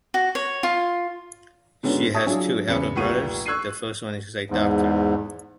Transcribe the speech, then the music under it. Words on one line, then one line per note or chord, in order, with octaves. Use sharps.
She has two elder brothers, the first one is a doctor.
F#4
C#5
F4
G#2 D3 B3 C#4 F#4
E5 A5 C#6 D#6
F#3 D4 E4 F4 G#4
E2 C#3 B4 C#7
F1 C2 A#2 F#5 C#6 D#7
C#6 E6 F#6 G#6 C7 D#7
E2 G#2